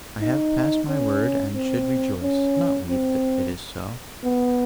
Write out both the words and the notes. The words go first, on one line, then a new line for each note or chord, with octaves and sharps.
I have passed my word, and should rejoice, not weep, that it is so.
D#4
C#4
C4
C#4
C4
B3